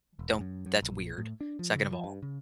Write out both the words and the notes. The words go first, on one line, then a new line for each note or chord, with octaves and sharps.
don't that's weird. Second of all
E1
F#2
F#2
A#1
A2
D4
F3
C#3
F3
G2
C#3